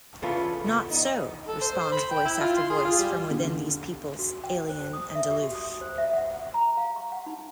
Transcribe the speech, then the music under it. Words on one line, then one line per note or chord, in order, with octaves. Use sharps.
"Not so," responds voice after voice from within these peoples alien and aloof.
C#3 E3 C#4 F4 A4 B4
C#3 B3
B3 D#4
A4
C5
C5
B5
G5
E4
F4
C6
G#4
F4
G3
D3
F#4
G5
C5
D#6
E5
G4
F#4
D#6
C5
E5
F#5
A#5
F5
C#6
F#5
D#4